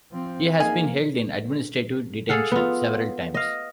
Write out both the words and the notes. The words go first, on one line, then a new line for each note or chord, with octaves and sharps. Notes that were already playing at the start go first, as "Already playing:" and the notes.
He has been held in administrative detention several times.
F3 C4
A#3 D#4 G#4 G#5
G#4 A4 F5 F#5
B3 F4
D#5 F5